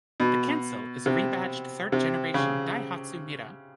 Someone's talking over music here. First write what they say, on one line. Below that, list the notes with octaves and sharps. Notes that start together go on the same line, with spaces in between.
The Kancil is a rebadged third generation Daihatsu Mira.
B2
C3
C3
C#3